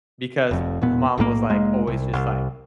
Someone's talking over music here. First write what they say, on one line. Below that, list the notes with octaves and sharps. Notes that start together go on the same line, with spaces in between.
because m mom was, like, always just, like,
F1 F2
E1 A#2 B3
B1 A2 F3 A#3
F1 G#3 A#3
C2
C2